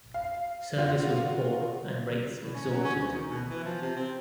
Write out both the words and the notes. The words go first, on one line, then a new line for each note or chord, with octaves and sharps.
Service was poor and rates exorbitant.
F5
F4 F#4
A2
C#4
F#3
C#4
D2
D#3
B2
E3
F3
C3
C4